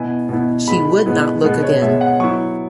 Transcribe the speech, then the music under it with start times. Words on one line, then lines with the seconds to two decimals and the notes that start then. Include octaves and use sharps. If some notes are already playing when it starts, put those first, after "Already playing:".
She would not look again.
Already playing: B2 B3 E4 G#5
0.29 B2 B3 E4
0.67 B2 G#3 B3 E4 B5
1.06 B2 G#3 B3 E4
1.44 B2 G#3 B3
1.63 C#5
1.82 B2 G#3 B3 E5
2.01 F#5
2.20 F#3 B3 E4 C#6